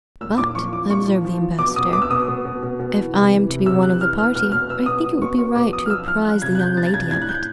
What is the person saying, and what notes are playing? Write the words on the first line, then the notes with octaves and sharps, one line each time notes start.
"But," observed the ambassador, "if I am to be one of the party, I think it would be right to apprize the young lady of it."
A#2 E6
A#2 D6
F3 C#6
F3 D6
A#2 C#6
F3
F3
F3
B2 D6
B2 D#6
B2 D6
E6
B2 D#6
B2
B2
B2
B2
E3
C3
E3
C3
C3 E6
E3 F#6
E3 F6
E3 F6
B2 F6
B2 F6
B2 E6
B2 D#6
B2
B2 C#6
B2 C#6
B2 D6
F3 D#6
F6
F3 E6
F3 F6
F3 F#6
C3 G#6
F#6
C3 G6
F3 A6
A6
C3 G#6
A2 G#6
F#6
A2 G6